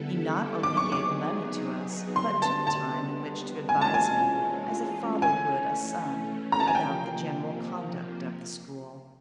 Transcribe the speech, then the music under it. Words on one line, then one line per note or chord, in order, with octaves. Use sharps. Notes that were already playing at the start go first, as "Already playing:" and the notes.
He not only gave money to us, but took time in which to advise me, as a father would a son, about the general conduct of the school.
Already playing: D3 G3 B3 E4 A4
F#3 B3 D#4 G#4 D6
C#6
D6
D3 G3 B3 C6
A5
A5
C3 E3 G#3 C#4 F4 G#5
A5
G#5
E3 A3 C#4 G#5
A#5
A5
G#5
C3 F3 A#3 G5